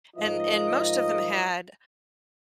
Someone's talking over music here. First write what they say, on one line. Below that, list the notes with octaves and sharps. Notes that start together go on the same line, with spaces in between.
and and most of them had
G#2 F3 F4 A#4 D#5